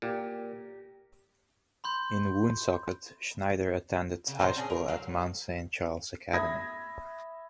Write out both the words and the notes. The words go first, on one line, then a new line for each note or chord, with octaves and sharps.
In Woonsocket, Schneider attended high school at Mount Saint Charles Academy.
A#2 G4 A#4
B5 C6 G6
C#3
A#2 D#3 C5 A#5
C#4 D4 G#4
A#4
F#3 F5
E5 B5 D#6 G#6 A#6